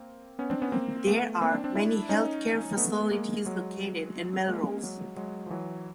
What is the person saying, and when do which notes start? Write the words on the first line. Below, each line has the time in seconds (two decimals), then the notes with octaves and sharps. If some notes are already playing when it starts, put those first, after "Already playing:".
There are many health care facilities located in Melrose.
Already playing: A#3 C4
0.39 B3 C#4
0.50 C4 D4
0.62 B3 C#4
0.72 A#3 C4
1.07 A3 B3
1.41 A#3 C4
1.52 C4 D4
1.64 C4 D4
1.75 D4 E4
2.09 C#4 D#4
2.77 A3 B3
3.11 G#3 A#3
3.45 F#3 G#3
4.48 G#3 A#3
4.83 F#3 G#3
5.16 F#3 G#3
5.46 F3
5.50 E3 F#3